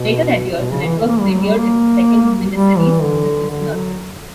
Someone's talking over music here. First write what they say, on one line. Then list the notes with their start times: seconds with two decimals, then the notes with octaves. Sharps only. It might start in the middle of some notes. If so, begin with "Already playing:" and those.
Later that year, the network premiered its second miniseries, "The Prisoner".
Already playing: B2
0.60 B2
0.72 C#3
0.85 E3
1.09 A#3
1.20 G3
1.32 F#3
1.44 G3
1.58 A#3
2.54 G3
2.78 E3
3.02 D3
3.50 D3
3.75 F#3